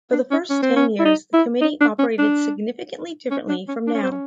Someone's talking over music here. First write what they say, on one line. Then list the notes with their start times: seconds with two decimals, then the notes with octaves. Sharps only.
For the first ten years the committee operated significantly differently from now.
0.12 D4
0.31 C#4
0.50 C#4
0.62 C4
0.76 C#4
0.99 E4
1.05 D#4
1.33 E4
1.61 D#4
1.80 D4
1.99 C#4
2.18 D4
3.31 C#4
3.49 D4
3.68 C#4
3.87 D4
3.94 C#4
4.03 C4
4.11 C#4